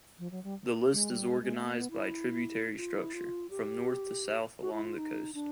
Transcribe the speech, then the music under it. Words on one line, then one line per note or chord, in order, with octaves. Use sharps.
The list is organized by tributary structure, from north to south along the coast.
F3
F#3
G3
G#3
G3
G#3
G#3
A3
A#3
B3
E4
F4
E4
F4
G4
F#4
E4
F4
D#4
D4